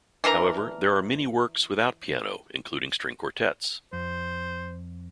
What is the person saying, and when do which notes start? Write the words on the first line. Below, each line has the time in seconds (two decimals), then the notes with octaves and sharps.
However, there are many works without piano, including string quartets.
0.24 E3 D4 A#4 A#5
3.93 F2 C5